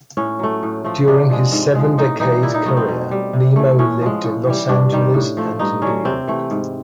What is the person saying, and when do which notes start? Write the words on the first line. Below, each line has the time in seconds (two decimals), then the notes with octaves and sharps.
During his seven decade career, Nemo lived in Los Angeles and New York.
0.17 A2 C#4
0.39 F#3 A3
0.63 A2
0.84 F3 A3
1.07 C3 D4
1.30 F3 G#3
1.52 G#2
1.75 F3 G#3
1.98 A2 D#4
2.20 E3 G3 D#4
2.43 A#2 E4
2.54 D#4
2.65 F#3 A3 B3
2.77 C4
2.88 B2
3.11 G3
3.33 C3
3.56 E3 A3
3.79 A2 C#4
4.01 F3 G#3
4.24 A2
4.47 E3 G3
4.69 G2 D4
4.92 D#3 G3
5.14 A2
5.37 F3 A3
5.59 G2 D#4
5.82 D3 F#3 C#4
6.05 C3 C4
6.28 E3 A3
6.51 G#2